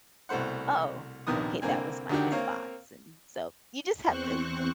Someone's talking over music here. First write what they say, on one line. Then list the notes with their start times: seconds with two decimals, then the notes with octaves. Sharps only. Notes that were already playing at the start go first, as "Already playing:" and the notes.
"Oh" okay, that was my response, and so you just have to
0.29 C2 B2 A3 C5 F#5
1.27 A#1 D#2 C3 D#3 B3 D#6
1.62 C2 D3 A#3 C4 G#5
2.09 D2 D3 D#3 F#4 G4
2.32 A#3 C4 C#5 F5
4.07 E2 C4 C5 C#6 F#6